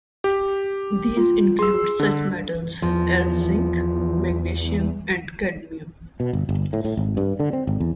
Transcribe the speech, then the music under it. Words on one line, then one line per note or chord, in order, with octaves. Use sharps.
These include such metals as zinc, magnesium, and cadmium.
G4
F4
G#4 C6 E6
D3
E2 F3
B2
G1
G1
A2
A2
G#1
G2
D3
C4
G#1
E2